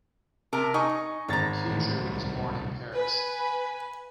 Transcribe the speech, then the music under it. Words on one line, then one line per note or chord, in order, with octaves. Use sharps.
Queudrue was born in Paris.
C3 A#4 A5
D#4 G#5 C#6 D#6
G#1 C#5 A#5 A6
A2 D#3 E3
D1 C2
B4 G#5